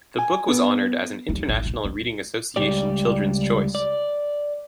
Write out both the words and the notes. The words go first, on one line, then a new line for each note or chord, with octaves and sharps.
The book was honoured as an International Reading Association Children's Choice.
G#5
B3
D#2
G#1
B2
A3
C#2 G2 G3 G4 D5
D5